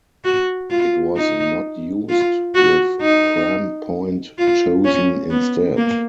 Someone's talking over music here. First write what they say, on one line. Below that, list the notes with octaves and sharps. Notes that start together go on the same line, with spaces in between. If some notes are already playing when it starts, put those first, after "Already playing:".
It was not used, with Pram Point chosen instead.
F#4
F4
D#4
F4
F#4
D#4
F4
C#4
B3
A#3